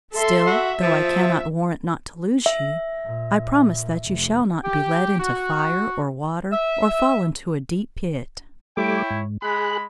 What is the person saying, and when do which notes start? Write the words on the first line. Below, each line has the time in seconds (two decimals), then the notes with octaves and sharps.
Still, though I cannot warrant not to lose you, I promise that you shall not be led into fire or water, or fall into a deep pit.
0.14 A4 E5 C6
0.47 F#4 E5
0.82 F3
2.46 E5
3.05 A#2
4.06 F1
4.64 G4
5.19 F#4
6.52 E5
8.77 G3 A3 E4 C#5 G5 D6
9.10 G#2
9.42 G#3 G#4 B5 F#6